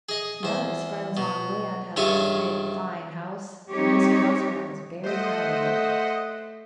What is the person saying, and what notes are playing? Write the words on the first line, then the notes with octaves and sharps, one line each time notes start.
None of his friends on land had such a big, fine house, and Mr. Muskrat was very proud of it.
G#4 D#5
E2 C5
B2
C#2 G2 F4 C#5 E5 G#5
G3 C4 D#4 G4 C#5
A3 C5 D#5 F#5